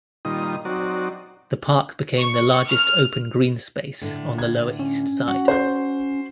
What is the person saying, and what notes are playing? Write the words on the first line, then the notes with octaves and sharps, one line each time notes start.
The park became the largest open green space on the Lower East Side.
A#2 D#3 G3 D#4 F4 D#6
F#3 C4 D#4 F#4 D5
C#6
F6
A2 D3
G#6
C#4
F#4
C5 G6